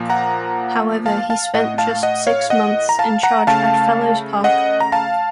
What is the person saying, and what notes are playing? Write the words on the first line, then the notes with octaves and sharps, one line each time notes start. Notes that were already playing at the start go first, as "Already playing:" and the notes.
However he spent just six months in charge at Fellows Park.
Already playing: A#2 F3 A#3
F#5 A#5
F5 A5
F5 A5
A2 A3 D#5 F#5
F5 A5
D#5 F#5
C#5 F5
D#5 F#5
A#5
F5 A5
F#5 A#5
C#3 A3 F5 A5
D#5 F#5
A#5
F5 A5